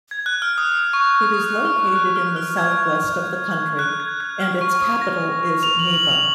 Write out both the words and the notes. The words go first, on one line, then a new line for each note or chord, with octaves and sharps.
It is located in the southwest of the country, and its capital is Neiva.
G#6
F#6
F6
D#6
D#6
C#6
D#6
F6
F#6
F6
F6
G#6
F#6
G#6
F#6
F6
C#6
D#6
A#6
F7
F#7
F#7
F7